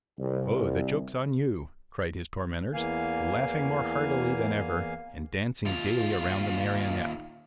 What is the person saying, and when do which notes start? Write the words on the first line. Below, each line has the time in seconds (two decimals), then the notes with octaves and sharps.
"Oh, the joke's on you!" cried his tormentors, laughing more heartily than ever, and dancing gayly around the Marionette.
0.18 C2
2.74 E2 E3 A#3 F5 G#5
5.65 D#2 F4